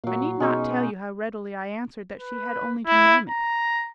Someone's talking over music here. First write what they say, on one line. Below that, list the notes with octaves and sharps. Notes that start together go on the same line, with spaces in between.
I need not tell you how readily I answered that she had only to name it.
A#2 F#3 F5
B2 G#3 C#4 D#4
B4
E4
A#5